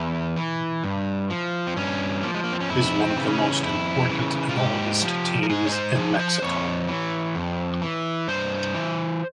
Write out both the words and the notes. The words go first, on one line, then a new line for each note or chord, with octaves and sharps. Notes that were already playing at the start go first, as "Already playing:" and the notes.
Is one of the most important and oldest teams in Mexico.
Already playing: E2 E4
E3
G2
F3
C4
G2 C#4
F3 A#3
G#3
A#3
C4
C#4
F2 E4
C4
C#3 E3
C#4
F2 E4
C#3 E3
F4
G#2 G4
F3
A#4
G#2 G#4
C#5
C5
F3 G#4
C#5
C5
F2 C#5
E3
F2
E3
G2 C5
E3